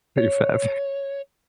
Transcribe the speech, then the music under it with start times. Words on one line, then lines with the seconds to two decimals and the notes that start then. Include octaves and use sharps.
Pretty fast.
0.18 C#5